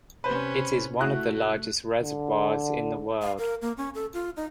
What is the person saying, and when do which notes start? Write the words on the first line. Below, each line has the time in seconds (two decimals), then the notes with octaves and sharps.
It is one of the largest reservoirs in the world.
0.24 C3 C#4 B4 C5
0.99 A3 E4 F#4 F#6
2.02 D3
3.22 F5
3.38 A#4
3.62 A#3
3.77 C#4
3.95 A4
4.13 F4
4.37 D#4